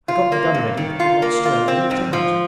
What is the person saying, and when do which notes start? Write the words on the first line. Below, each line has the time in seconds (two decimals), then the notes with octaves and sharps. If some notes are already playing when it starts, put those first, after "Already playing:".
I got my gun ready but did not stir, and looked out.
0.08 F4
0.32 A#3
0.54 G2
0.77 D#3
1.00 F4
1.22 A#3
1.45 F4
1.68 C4
1.91 G#2
2.13 F3